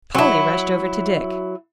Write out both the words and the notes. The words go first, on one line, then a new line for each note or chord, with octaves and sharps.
Polly rushed over to Dick.
F#3 E4